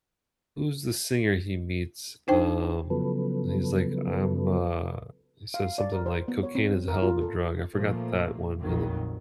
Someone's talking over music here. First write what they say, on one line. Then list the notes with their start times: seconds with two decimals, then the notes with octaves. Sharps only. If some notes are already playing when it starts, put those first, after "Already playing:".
Who's the singer he meets? Um, and he's like, I'm, uh, he says something like cocaine is a hell of a drug. I forgot that one. And then
2.28 D4 D#4 C5 G5
2.90 C#3 F3 F#3 B3 A4 B4
5.54 F5
5.78 D5
5.92 A#4
6.06 C5
6.28 B3
6.43 C#5
6.55 C4
6.88 A#4
7.02 F4
7.21 A4
7.74 A#2 F3 A3 A#3
8.59 A#1 F2 A#2 D#3 F#3